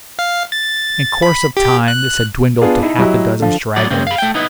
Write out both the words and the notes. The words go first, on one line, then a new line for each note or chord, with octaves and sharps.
In course of time this had dwindled to half a dozen stragglers.
F5
A6
B5
G4
F#6
B3 D4 F4 G#4 D5
D#4 E4
F#3 E4 G4 D#5
D3 F3
A2 F#3 B3 D5
C#2 C#3 A#3 C4
F5 B5
A3 G5
B3 D#4 E4 B4